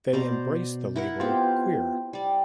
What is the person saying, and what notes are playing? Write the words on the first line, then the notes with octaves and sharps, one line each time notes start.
They embrace the label queer.
B2 C5 D5 A#5
E4 A#4 F#5
B3 C4 F4 G4
G3 D5